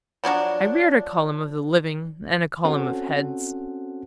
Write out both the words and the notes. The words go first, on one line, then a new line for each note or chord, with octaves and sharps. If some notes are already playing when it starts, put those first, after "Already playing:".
I reared a column of the living and a column of heads.
F3 F#3 D4 F#4
C4 C#4 F#4 A4 C5 F#5